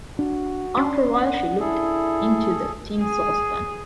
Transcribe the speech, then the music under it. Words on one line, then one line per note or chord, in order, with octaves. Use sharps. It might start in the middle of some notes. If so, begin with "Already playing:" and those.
After a while she looked into the tin saucepan.
D4 F#4
C#4 D4 C6
F#5
E4 G#4 A4
G#4